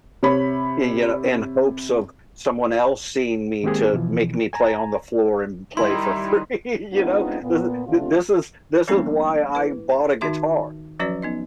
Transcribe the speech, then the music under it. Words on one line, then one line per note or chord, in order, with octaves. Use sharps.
y you know, in hopes of someone else seeing me to make me play on the floor and play for free, you know? This is th this is this is why I bought a guitar,
C3 C#5 B5
D#3 G#3 A#3 C4 G4 G#4
B2 E3 F3
G#5 A#5
D#3 G3 D#4 E4 C6
G#3 B3 C4 D4 D#4 F4
A#2 B3
C3 F3 A3 D4 F4
F3 G3 A#3 B3 C#4 D4
E4 B4
D#3 D#4 F#4 E5 A5 C6
F3 F#3 C#4 F#4 B4 D5
B3 D#4 D#5